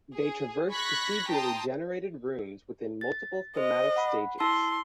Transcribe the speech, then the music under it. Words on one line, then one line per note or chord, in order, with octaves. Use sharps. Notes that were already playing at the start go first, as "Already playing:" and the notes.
They traverse procedurally generated rooms within multiple thematic stages.
G#4
B5 C#6 F#6 G#6 A#6 B6
G5 A5 A#5 C6 D#6
A6
C5 D#5
F#5 B5
E4 A5 C6 E6